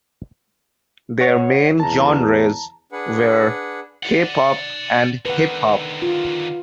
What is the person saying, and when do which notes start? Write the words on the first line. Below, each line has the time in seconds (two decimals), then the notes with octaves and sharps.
Their main genres were K-pop and hip-hop.
1.20 C#5 F#5
1.80 E2 A5 A#5
2.92 D4 G#4 B4 F#5
4.03 D5 F#5
5.25 D3 D#3 B4 F#5
6.02 F4